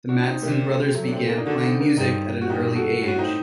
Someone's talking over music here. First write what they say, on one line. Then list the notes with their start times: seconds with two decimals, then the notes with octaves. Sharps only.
The Madsen brothers began playing music at an early age.
0.09 D4 F#4
0.25 C4 D#4
0.42 C3 A#3 D4
0.68 A3 C4
0.95 F#3 A3
1.08 D4
1.11 A3 C4
1.29 A#3 D4
1.38 D#4
1.46 D3 D4 F#4
1.63 C4 D#4
1.80 A#3 D4
1.97 G2 C4 D#4
2.41 F#4
2.49 A#2 D#4 G4
2.75 F#4 A4
3.01 A2
3.08 F#4
3.18 C4 D#4